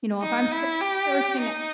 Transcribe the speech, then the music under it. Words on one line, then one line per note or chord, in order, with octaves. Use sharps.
You know, if I'm sear searching uh
D#4
E4
G4
D#4